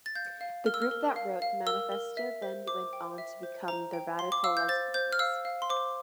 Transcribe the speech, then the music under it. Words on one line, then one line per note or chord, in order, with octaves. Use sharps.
The group that wrote the manifesto then went on to become the Radicalesbians.
A6
F5 G6
F5
A#4 F6
E6
F6
A#4
F5
F5
A#4 E6
A#4
E5
C5
C5 D6
G5
E5
C5
C5 A#5
G5
F5 C6
D6
F5 E6
G6
C5 A6
C5 G6
F6
F5 E6
F5
C6
C5 D6